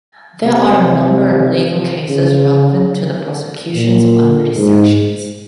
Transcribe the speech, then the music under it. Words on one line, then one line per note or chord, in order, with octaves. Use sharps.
There are a number of legal cases relevant to prosecutions under these sections.
C3
C#3
A#2
G#2